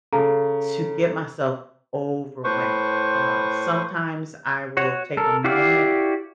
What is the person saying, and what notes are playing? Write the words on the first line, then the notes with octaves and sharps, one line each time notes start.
to get myself overwhelmed. Uh, sometimes I will take a moment,
C#3 A4 A#5
A2 B4 C5 C#6
F#4 C#5
A4 A#4
E4 F#4 G4 D5 F5